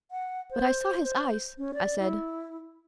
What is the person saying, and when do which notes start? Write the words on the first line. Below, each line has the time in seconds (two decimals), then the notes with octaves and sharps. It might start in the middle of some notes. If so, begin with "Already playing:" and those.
"But I saw his eyes," I said.
0.11 F#5
0.51 C5
1.03 C5
1.58 C#4
1.74 D5
1.99 E4